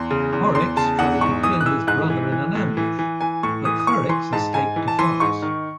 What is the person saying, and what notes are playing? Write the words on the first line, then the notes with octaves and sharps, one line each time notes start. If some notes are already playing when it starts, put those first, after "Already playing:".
Porrex tried to kill his brother in an ambush, but Ferrex escaped to France.
Already playing: E2 C6
C#3
E2
E2 C6
C#3 A5
E2 F#5
G#2 C#6
E3 D#6
F#6
E3 E6
G#2 F#6
E3
E3
A2
E3
E3
E3 G#5
A2 C#6
E3 D#6
D#6
E3 C#6
E3 C6
G#2 A5
G#2 G#5
E3
A5
E3 C6
G#2 C#6
D#3